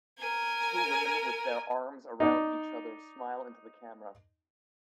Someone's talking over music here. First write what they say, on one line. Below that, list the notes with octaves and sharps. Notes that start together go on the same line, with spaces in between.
Two women with their arms around each other smile into the camera.
A#4 G#5
D#4 D5